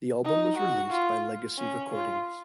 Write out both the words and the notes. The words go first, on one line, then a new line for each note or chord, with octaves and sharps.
The album was released by Legacy Recordings.
D#4
F#4
F4
C#4
F4